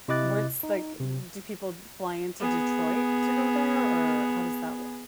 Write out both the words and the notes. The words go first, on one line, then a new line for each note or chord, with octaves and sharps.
What's like do people fly into Detroit to go there or how does that work?
C3 E4 D#5 D6 F#6 A6
D#4
C3
B3 G#4